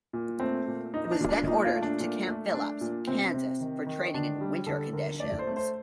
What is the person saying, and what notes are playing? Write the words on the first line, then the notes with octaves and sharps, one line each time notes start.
It was then ordered to Camp Phillips, Kansas for training in winter conditions.
A#2
A3 C4
A#2
A#2 D#4
D#4
D4
A#2
D4
A#2 D#4
F4
A3
D4
A#2
A3
A3 D4
A#2
C3 C4
C4
C3
D#3
D#3
D3 D4
G3
D3 A4
D3 A#4
A3 D5
C5
A3
C5